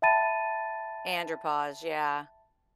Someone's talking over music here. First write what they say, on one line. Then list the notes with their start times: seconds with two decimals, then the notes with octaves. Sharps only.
Andropause, yeah.
0.02 E5 G5 A5 B5 A6 D#7